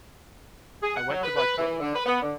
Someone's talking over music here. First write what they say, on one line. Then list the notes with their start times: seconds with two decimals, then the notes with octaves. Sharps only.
I went to buy clothes.
0.82 G#4
0.96 F#5
1.10 F#3
1.23 B4
1.37 B4
1.57 E3
1.80 D3
1.94 B4
2.06 B3
2.22 D3